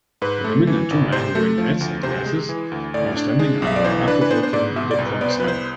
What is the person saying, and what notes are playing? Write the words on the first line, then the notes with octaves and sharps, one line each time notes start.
A woman and two men wearing hats and glassess are standing under a avrovulcan.com sign.
G#2 B4
A3
E3
G#1
C3 C5
A3
F3
D2
C3 C5
G#3
E3
D2
A2 D5
D4
G#3
B1 E5
D5
E3 C5
D4 B4
B4
B3 C5
C5
G#2 D5
B2 E5
D5
C2
B4
B3 D5
C5
B4
C2 C5